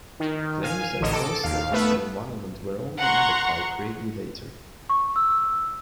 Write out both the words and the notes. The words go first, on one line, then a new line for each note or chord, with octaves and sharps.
Claims that Koestler had been violent were only added by Craigie later.
D#3
F5 G#5
A1 D3 C#5 D#5 E7
A4 D6
D#2 F5
A3 B3 B4 E5
F#5 A#5 C6 C#6
C#6
E6